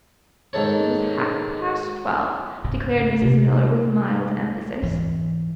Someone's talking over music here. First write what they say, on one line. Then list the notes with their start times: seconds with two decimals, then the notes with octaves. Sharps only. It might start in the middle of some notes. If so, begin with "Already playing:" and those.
"It was half-past twelve," declared Mrs. Miller with mild emphasis.
0.53 G#2 D#3 A4 C#5
2.64 G#1 C#3
3.22 C3 A#3
4.82 G#2 E3